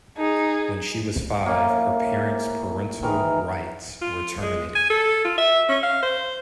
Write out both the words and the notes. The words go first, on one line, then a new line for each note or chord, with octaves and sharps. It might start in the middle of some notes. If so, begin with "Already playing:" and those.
When she was five, her parents' parental rights were terminated.
D#4 G#4
A2 A#3 C#4
D#3 E3 A#4 D#5
F4
G#3
G#5
A4
F4
E5
C#4
F5
C5